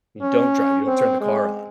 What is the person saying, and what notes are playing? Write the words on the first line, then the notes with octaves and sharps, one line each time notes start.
and you don't drive, you don't turn the car on.
C#4
C4
G#3